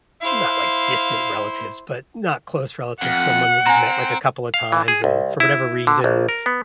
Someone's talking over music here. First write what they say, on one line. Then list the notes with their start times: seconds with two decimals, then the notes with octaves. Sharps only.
not, like, distant relatives, but not close relatives someone that you've met, like, a couple of times, and for whatever reason,
0.22 E4 C5 F5
3.02 F2 F#5
3.66 C4 G#5 A#5
4.54 F5
4.72 E3
4.88 G#4
5.04 C2
5.40 E4
5.87 D3
6.04 A#1
6.29 A#4
6.46 B3